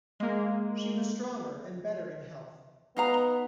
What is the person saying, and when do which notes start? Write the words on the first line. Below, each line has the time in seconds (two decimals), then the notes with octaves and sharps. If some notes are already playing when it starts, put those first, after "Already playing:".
She was stronger and better in health.
0.20 G#3 A#3
2.97 B3 D#4 F5 A#5